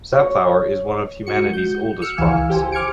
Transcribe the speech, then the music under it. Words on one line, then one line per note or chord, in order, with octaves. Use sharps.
Safflower is one of humanity's oldest crops.
C#5
G#3 F#4 C#7
G6
E6 F6 C#7
C#2 E3 F5 G#5
G4 C5 G#5
D6 F6 G#6 C#7 D7